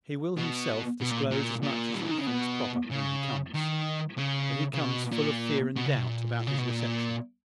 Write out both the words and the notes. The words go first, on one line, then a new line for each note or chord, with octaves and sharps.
"He will himself disclose as much as he thinks proper, when he comes: but he comes full of fear and doubt about his reception."
B2
B2
A#2
A#2
A#2
G3
E3
D#3
C#3
B2
C#3
D#3
C#3
C#3
B2
A#2
B2
C#3
B2
A#2
C#3
B2
A#2